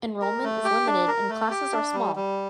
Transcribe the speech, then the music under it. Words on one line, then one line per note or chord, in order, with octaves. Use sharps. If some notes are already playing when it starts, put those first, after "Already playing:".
Enrollment is limited and classes are small.
A#4
A3
G4
D4
A#4
A3
G4
D4
G3
G3